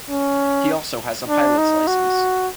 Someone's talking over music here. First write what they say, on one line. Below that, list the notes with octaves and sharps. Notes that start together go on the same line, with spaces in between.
He also has a pilot's licence.
C#4
D4
D#4
F#4